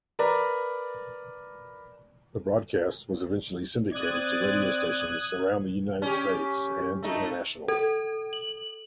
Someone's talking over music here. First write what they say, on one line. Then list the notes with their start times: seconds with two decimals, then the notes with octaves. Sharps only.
The broadcast was eventually syndicated to radio stations around the United States and internationally.
0.19 A#4 B4 D5 A#5
3.92 C4 D5 D#6 F#6 G#6
6.02 C#4 G4
7.03 A3 D#4
7.68 A4
8.33 F#7